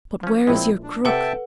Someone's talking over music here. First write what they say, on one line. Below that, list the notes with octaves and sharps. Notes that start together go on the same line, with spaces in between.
"But where is your crook?"
F3 C#4
A#1 A2 F3 G#3 C4 E4
D4
C3 A4 B4 E5 F#5 G5 A5